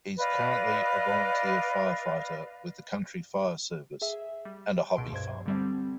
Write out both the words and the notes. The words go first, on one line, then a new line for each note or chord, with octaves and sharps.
He's currently a volunteer fire-fighter with the Country Fire Service and a hobby farmer.
B4 D5 D#5 F5
G#4 E5
G3
C#2 B2 C6 D7
G2 C5 G#6
D3 G3 C4